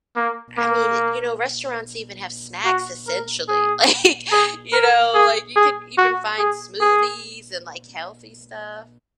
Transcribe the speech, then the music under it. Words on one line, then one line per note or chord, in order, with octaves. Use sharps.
I mean, you know, restaurants even have snacks essentially. Like, you know, like, you could even find smoothies and, like, healthy stuff.
A#3
A#3
F#4
A#4
G#4
G#4
A#4
G#4
G#4
F#4
G#4
G#4